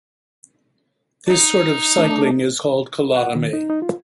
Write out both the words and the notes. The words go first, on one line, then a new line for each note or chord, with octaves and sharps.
This sort of cycling is called colotomy.
D#4
A3 D4
F#5
D#3
D#4
D#4
F4